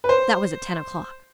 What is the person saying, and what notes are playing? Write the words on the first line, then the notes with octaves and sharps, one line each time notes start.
That was at ten o'clock.
B4
C5